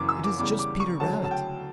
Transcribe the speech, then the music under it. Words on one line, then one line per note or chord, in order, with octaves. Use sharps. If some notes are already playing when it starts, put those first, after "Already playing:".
It is just Peter Rabbit.
Already playing: F#1 F#2 E3 D6
E6
D6
E2 C#3 G3 D6
D6
C#6
D2 C#3 F#3 A5
A5
G5